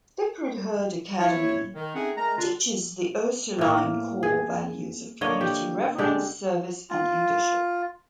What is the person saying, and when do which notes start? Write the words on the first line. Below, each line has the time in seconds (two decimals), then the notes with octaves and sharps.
Sacred Heard Academy teaches the Ursuline Core Values of community, reverence, service, and leadership.
1.19 E4 C#5
1.75 D#3
1.95 A3 C4 C#4 D#4 G#4 F#5
2.17 G#3 A3 A#4 A#5
2.37 D3 D4 F4
3.59 A2 A#3
4.23 G#4
5.21 D3 A#3 C#5 D#5
5.41 G4
5.98 D3 G#3 G4
6.90 F4